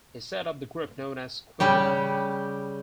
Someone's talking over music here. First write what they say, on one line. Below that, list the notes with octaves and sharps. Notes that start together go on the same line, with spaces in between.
He set up the group known as 'Quidem'.
C#3 G3 G4